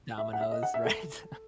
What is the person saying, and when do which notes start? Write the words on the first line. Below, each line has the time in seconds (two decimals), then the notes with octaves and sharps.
Domino's, right?
0.18 E5
0.33 F#5
0.41 E5
0.52 D#5
0.63 F#5
0.74 E5
0.85 A4